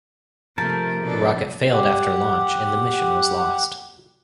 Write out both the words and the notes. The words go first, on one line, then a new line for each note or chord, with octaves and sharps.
The rocket failed after launch and the mission was lost.
C3 F3 A3 A#4 A5
B2 D4 A4
G4 F#5